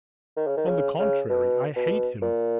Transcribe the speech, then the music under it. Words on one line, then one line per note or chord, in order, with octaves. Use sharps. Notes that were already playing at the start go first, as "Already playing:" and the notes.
On the contrary, I hate him!
D#3
C#3
D#3
C#3
C#3
B2
B2
A#2